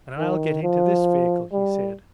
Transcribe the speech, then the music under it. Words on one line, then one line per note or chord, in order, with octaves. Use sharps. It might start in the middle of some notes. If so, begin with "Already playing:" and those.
"And I'll get into this vehicle," he said.
D#3
F3
G3